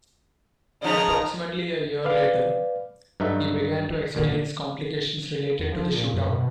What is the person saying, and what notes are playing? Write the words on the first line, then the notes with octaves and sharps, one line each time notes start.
Approximately a year later, he began to experience complications related to the shootout.
C#3 F3 D#4 A#5
B4 D5 F5
G2 F#3 D#4 A4 E5
D#2 A#2 D3
E2
F3
A#2
F#2
B2